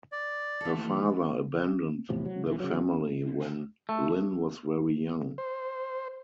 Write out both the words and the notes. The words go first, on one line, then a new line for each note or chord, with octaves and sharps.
Her father abandoned the family when Linn was very young.
D5
E3 A4
E2 A2 C3 F3
F#3
B1 E3
C#3 F#3
A3
C5